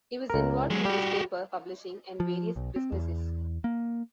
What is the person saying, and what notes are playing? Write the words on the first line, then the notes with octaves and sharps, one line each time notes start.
He was involved in newspaper publishing and various businesses.
C#2 A#4
F#3 G#3
G3 F#4 G4
F3
B1
C4
E2
A#3